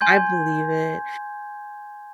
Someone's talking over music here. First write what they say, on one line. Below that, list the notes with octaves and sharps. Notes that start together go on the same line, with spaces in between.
I believe it.
G#5 C6 G6 G#6